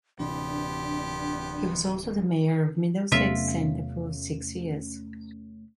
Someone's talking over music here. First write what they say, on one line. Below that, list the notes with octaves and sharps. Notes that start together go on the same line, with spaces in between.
He was also the mayor of Middlesex Centre for six years.
D1 C3 E3 B3 D4 G4 C6
E2 C3 F#3 A3 B3 C#4 F4 E5